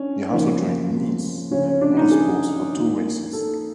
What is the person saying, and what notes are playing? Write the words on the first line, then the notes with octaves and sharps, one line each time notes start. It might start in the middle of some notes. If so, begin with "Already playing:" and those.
He also joined Niece Motorsports for two races.
Already playing: D#3 C#4 D4
D#2 C#3 F3
D2 C#3 F3 C#4
C#4
D4
D#4
G#4
D#2 D#3
A4